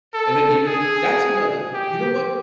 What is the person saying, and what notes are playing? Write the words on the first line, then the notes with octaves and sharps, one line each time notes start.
And, then, even that's another you know what?
A4
G#4
G4